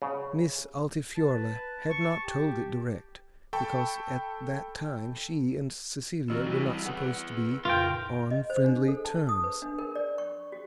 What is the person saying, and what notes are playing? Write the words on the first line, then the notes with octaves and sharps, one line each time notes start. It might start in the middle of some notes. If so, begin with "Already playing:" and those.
Miss Altifiorla had not told it direct, because at that time she and Cecilia were not supposed to be on friendly terms.
C#3
B4 A5
C#6
G4
A4 G5 A5 B5 C#6
D2 E3 C4 F#4 F6
G3 E4
G#4 B4 F#5
F2 A#2 C#3 F4 A#4 G5
D#5
C5
D4
A4
A5
D#6
B4
D4
A#4
D5
C#6
F#4